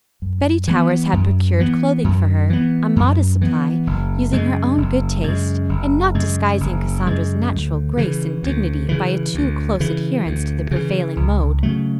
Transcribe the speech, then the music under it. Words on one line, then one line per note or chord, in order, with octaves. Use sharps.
Betty Towers had procured clothing for her--a modest supply--using her own good taste, and not disguising Cassandra's natural grace and dignity by a too-close adherence to the prevailing mode.
F#2
E3 B3
F#2
E3 B3
F#2
E3 B3
F#2
E3 B3
F#1
F#2 C#3 G#3
F#1
F#2 C#3 G#3
F#1
F#2 C#3 G#3
F#1
F#2 C#3 G#3
D2
C#3 E3
D2
C#3 E3
D2
C#3 E3
D2
C#3 E3
C#2
C#3 F#3 A3